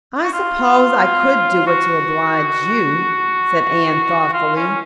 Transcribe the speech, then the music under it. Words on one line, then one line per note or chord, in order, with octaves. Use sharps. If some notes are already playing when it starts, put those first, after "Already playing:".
"I suppose I could do it to oblige you," said Anne thoughtfully.
F#4
F4
F#4
F4
C#4